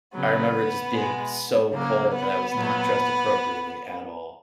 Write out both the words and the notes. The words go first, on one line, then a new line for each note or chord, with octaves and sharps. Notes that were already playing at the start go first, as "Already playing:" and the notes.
I remember it just being so cold and I was not dressed appropriately at all,
C#3 F#3 B3
B2 G#3
C#3 F#3 A#3
B3
A#2 F#3